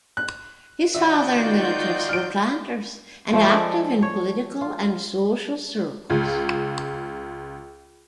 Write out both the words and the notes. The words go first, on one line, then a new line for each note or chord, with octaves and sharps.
His father and relatives were planters and active in political and social circles.
F#6
D#3 D#4 F4 F#4 D5 E5 G6
F6 D7
F3 A3
G#3 A4 D5
C#5
F4
C#2 F4